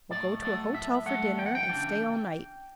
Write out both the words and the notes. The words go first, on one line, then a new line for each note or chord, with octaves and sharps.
We'll go to a hotel for dinner, and stay all night.
A2 D5
F#3 A3 D5
A2 E5
F#3 A3 F#5
E2 G5
F#5
G5
C#3 E3 G3 D4